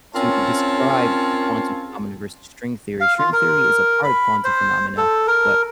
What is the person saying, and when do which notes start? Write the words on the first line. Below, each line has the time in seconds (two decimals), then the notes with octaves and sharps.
to describe the quantum phenomena versus string theory string theory is a part of quantum phenomena, but
0.15 C4 C#4 F4 A#4 C#5 A5
3.00 F5
3.19 F4
3.33 A#4
4.04 B5
4.44 C5
4.97 A4
5.27 A#4